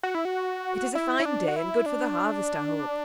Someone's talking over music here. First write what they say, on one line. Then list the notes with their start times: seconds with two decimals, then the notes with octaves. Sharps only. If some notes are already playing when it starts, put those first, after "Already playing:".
It is a fine day, and good for the harvest, I hope.
0.03 F#4
0.15 E4
0.25 F#4
0.95 E4
1.20 E4
1.25 D4
1.48 F#4
1.56 E4
1.86 D4